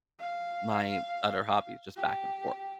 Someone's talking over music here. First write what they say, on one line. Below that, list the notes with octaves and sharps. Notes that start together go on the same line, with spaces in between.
my other hobbies, just back and forth.
F5
G4